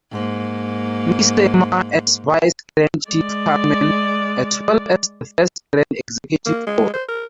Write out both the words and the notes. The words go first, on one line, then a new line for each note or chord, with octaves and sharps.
Missemer as Vice Grand Chief Carman, as well as the first Grand Executive Board.
G#2 A#3
G#3 D5
A#3
G#3
C5
A#4